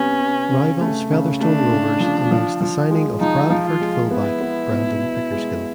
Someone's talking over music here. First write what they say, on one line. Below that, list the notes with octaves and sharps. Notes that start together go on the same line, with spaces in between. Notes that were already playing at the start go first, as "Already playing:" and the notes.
Rivals Featherstone Rovers announced the signing of Bradford fullback Brandon Pickersgill.
Already playing: C3 G3 B3 C#4
C3
C#3
A3
C#3
A3 D4
C#3
F3
F3
F3
G#3
F3 D#4
F3
F4
G#3
B3 E4
B3
B2
B2
G#3